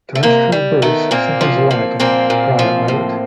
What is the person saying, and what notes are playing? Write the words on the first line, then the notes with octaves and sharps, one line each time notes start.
Terrestrial birds sometimes alight on Praia Islet.
A3
C3 A#3
G3
D#3 A3 B3
A#2 A#3 C4
F3
F3
A#2 A#3 C4
A#2
F3
A2